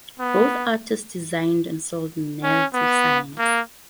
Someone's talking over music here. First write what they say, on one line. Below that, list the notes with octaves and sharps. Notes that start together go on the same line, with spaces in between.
Both artists designed and sold narrative signs.
B3
C#4
B3
A#3